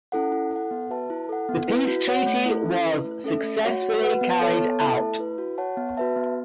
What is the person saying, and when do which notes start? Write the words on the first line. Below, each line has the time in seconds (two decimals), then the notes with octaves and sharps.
The peace treaty was successfully carried out.
0.12 C#4 E4 A4 F#5
0.32 E4
0.51 A4 F#5
0.71 B3
0.90 F#4 B4 E5 A5
1.10 E4
1.29 A4 F#5
1.49 B3
1.68 E4 B4
1.88 F#4
2.07 C#5 F#5
2.26 A3
2.46 E4 A4
2.66 C#4
2.85 E4 B4
3.04 A3
3.24 C#4 A4 E5
3.43 A3
3.63 F#4 C#5 F#5
3.82 F#4
4.02 B4 F#5
4.21 B3
4.41 A4 C#5 A5
4.60 B3
4.80 E4 A4 E5 A5
4.99 A3
5.19 E4 B4
5.38 F#4
5.58 C#5 F#5 A5
5.77 B3
5.97 F#4 B4 E5 A5
6.16 B3